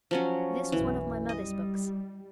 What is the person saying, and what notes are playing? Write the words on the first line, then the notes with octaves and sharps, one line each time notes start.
This was one of my mother's books.
F3 F#3 C#4
B1 F#2 B2 E3
G3 D#5